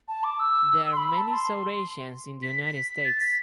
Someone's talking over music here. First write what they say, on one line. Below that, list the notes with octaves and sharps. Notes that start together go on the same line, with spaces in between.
There are many South Asians in the United States.
A5
D6
E6
E6
C6
B5
B5
A5
C6
B6
B6
A6
B6